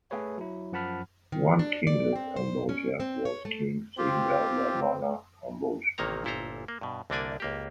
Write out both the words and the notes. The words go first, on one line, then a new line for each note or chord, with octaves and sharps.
One king of Kamboja was King Srindra Varmana Kamboj.
A3 G#4 A4 B4 C#5
F#3 E4
F#2 F3 F#5 A5 B5 F6
D#3
D4
D5
C4
C5
C#4
C4
C#5
A3
C4 F4 G4
A1 C3 D#3 A#3 C#5 A#5
G1 A#2 E4 A4 C5 A#5
A#3
G2 B2
C2 D3 A#3 D4 D5 G#5
C#2 A#3 G4